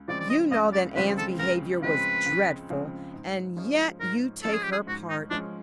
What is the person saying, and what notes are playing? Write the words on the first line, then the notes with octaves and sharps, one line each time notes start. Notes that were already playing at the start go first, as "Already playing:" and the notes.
You know that Anne's behavior was dreadful, and yet you take her part!
Already playing: C#2
C#3 F3 G#3 C4 D5
D5
D#5
C#2 D#5
D5
C#3 F3 G#3 C4 B4
A4
C#2 A#4
C#3 F3 G#3 C4 B4
C#2
C#3 F3 G#3 C4
G#2
F3 G#3 C#4
G#2 A#4
F3 G#3 C#4 A4
G#4
G4
G#4
G#2 F#4
D#4
F3 G#3 C#4 D4